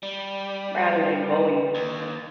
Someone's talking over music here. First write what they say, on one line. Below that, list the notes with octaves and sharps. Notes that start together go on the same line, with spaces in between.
rather than going
G3
B4
D#2